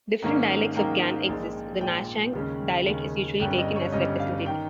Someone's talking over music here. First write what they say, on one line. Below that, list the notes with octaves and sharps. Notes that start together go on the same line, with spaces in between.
Different dialects of Gan exist; the Nanchang dialect is usually taken as representative.
G#2 D#3 A#3 C#4
G#2 D#3 A#3 C#4 G5
A#1 A#2 G#3
A#1 A#2 G#3 G5
D#2 C#3 G#3 C#4
D#2 C#3 G#3 C#4
G1 G2 G3 C#4 G5
D#5
C#5
G1 G2 G3 C#4 D#5
F5
D#3 G5